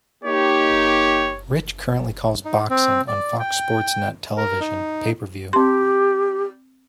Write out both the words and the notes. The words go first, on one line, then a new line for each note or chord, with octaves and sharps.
Rich currently calls boxing on Fox Sports Net television, pay per view.
A#3 D#4 G4 C#5
D#4
C4
D5
G5
A#4
D#4
C4 G4 C6